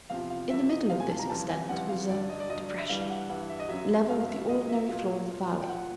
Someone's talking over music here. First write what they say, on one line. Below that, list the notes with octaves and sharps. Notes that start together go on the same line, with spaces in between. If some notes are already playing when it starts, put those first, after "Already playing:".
In the middle of this extent was a depression, level with the ordinary floor of the valley.
E2 C3 F3 F5
F5
E2 C3 F3 E5
D#5
E2 C3 F3 F5
G#5
A5
A#5
F2 C#3 E3 G3 A5
G#5
F2 C#3 E3 G3 F#5
F5
G2 D3 F#3 D5
D#5
D5
G2 D3 F#3 D#5
D5
E5
G2 E3 G3 F5
F5
F#5
G2 E3 G3 F#5
E5
D#5
F#2 C#3 F#3 E5
F#2 C#3 F#3 F5
F5
E5
A#2 F#3 D#5
E5
A#2 F#3 F5
A#2 F3
G5
A#2 F3 F#5